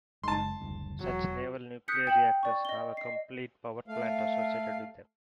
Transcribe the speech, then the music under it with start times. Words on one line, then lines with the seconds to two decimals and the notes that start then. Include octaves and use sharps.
Such Naval nuclear reactors have a complete power plant associated with them.
0.24 F#1 G#3 A5 C6
0.61 F#1 D2 G2
1.00 E1 E2 F#3
1.88 D#6 F#6 G6 B6 C#7
2.07 G5 E7 F#7
2.43 D5 C#6
2.65 D#5 G7
2.97 D#5 C7
3.88 A3 F5